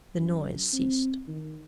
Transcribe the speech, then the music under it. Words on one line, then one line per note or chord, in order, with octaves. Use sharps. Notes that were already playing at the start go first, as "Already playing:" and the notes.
The noise ceased.
F#2
C4
D#3